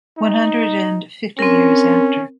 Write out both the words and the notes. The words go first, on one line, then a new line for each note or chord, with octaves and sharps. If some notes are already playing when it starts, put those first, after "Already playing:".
One Hundred and fifty years after.
D#4
C4 C#4 A#4